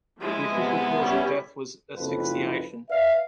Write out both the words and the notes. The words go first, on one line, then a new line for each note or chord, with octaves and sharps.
The official cause of death was asphixiation.
F3 G#3 E4
C3 B3
G3 C#4 E4
F#1 F2 B4
B4 D5 E5 F5